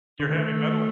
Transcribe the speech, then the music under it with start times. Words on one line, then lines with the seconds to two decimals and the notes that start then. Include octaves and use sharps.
Your heavy metal?
0.20 D3
0.30 D#3 A3